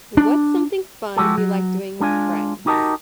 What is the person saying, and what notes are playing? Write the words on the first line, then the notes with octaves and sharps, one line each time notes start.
What's something fun you like doing with friends?
D4
F3 G#3 F#4 G4 A4
F#3
G#3 D4 F4 G#5
D#4 F#4 G4 A#4 D#5 A5